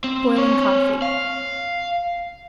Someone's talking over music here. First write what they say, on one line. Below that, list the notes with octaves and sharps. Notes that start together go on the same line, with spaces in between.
Boiling Coffee.
C4
C4 C#5
F5